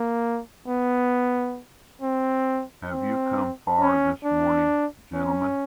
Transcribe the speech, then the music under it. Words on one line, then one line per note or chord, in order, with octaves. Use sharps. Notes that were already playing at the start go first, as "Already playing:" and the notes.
Have you come far this morning, gentlemen?
Already playing: A#3
B3
C4
C4
C#4
D4
C#4